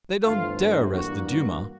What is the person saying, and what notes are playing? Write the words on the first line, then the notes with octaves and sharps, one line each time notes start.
They don't dare arrest the Duma!
G1 G2 E3 A3 C4 F4
F#4
G2 E3 G3 A#3 F#4
F#4